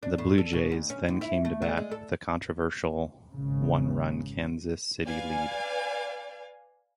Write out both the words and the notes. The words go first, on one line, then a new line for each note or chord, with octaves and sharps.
The Blue Jays then came to bat with a controversial one-run Kansas City lead.
D4
A2
A4
B2
D2
C#4
D#2
E4
A3
D3
G#3
A4
G#1 C#3
B4 D5 F5 G#5